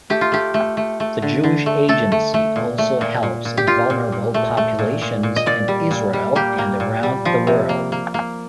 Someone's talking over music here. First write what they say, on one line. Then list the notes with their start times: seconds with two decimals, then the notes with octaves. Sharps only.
The Jewish Agency also helps vulnerable populations in Israel and around the world.
0.10 A3 G4
0.21 F4
0.32 A3 G4
0.54 A3
0.77 A3
1.00 A3
1.22 D3
1.44 D3
1.66 A3
1.88 A3 A4
2.12 A3
2.34 A3
2.56 A#2
2.78 A3
3.01 A#2
3.23 A#2
3.45 A#2
3.57 G4
3.67 A#2 F4
3.90 A#2
4.12 A#2
4.34 A3
4.57 A3
4.79 A#2
5.02 A#2
5.23 A#2
5.36 D#5
5.46 A#2 D5
5.68 G3
5.91 A#2
6.13 G3
6.35 A#3 G4
6.58 A#3
6.80 A#2
7.03 G3
7.25 F3
7.47 C3
7.69 A#3
7.92 A#3
8.14 A#3